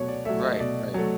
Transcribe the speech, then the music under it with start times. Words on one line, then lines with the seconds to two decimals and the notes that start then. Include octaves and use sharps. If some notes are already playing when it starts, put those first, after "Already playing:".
Right. Right.
Already playing: B2 F#3 A3 C#5
0.08 D5
0.25 F#3 A3 E5
0.43 D#5
0.60 B2 D5
0.94 F#3 A3